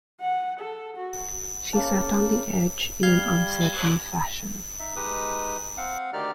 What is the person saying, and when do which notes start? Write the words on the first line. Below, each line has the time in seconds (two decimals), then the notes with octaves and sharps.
She sat on the edge in an uncertain fashion.
0.20 F#5
0.60 A4
0.96 F#4
1.73 C#3 A#3 A5
3.03 G3 F5 G#6 G7
4.79 D#4 E5
4.96 G#3 D#4 G4 B4 D#6
5.77 C4 F5 F#5
6.13 D2 D#3 D#4 G4 D5 F6